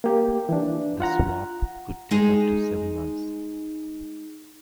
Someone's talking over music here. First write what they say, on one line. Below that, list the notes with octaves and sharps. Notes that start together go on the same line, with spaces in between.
The swap could take up to seven months.
A#3 G4
E3 D4
F4 F#5 A#5
G#3 D#4 G#4